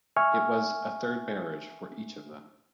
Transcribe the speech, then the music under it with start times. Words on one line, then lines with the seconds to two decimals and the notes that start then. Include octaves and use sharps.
It was a third marriage for each of them.
0.16 E5 G#5 C#6 F6